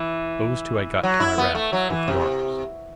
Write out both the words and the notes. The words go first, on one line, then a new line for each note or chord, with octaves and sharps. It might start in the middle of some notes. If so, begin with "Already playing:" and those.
Those two I got to my raft, with the arms.
Already playing: E3
F#3
E4
B3
A3
F#3
E3
C3